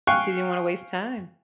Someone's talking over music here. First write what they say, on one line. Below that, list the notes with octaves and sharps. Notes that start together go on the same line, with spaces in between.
She didn't wanna waste time.
F5 G5 G#5 C#6 F#6